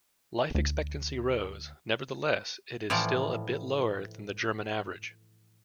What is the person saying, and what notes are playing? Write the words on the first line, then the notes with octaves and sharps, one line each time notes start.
Life expectancy rose, nevertheless it is still a bit lower than the German average.
D2
A2 E3 F3 D5